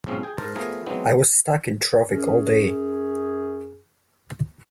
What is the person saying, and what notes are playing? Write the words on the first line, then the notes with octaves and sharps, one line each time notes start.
I was stuck in traffic all day!
B1 G#2 F3 C4 C#4 F5
G#4 G5
G#2 A#4 C5 A5
F3 A3 B3 G#4 A#4
E3 F#3 G#3 B3 C4 D#4
F#2 C#4 G#4